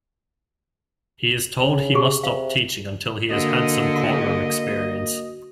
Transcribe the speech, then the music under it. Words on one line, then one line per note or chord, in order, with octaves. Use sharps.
He is told he must stop teaching until he has had some courtroom experience.
C#3
G4 G#4 C#6
C3 F5
D3 A#3 F#4 D#5